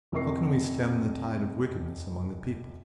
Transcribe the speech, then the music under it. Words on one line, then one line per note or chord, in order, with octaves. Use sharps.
How can we stem the tide of wickedness among the people?
F1 C3 E4 A#4 C#6 C7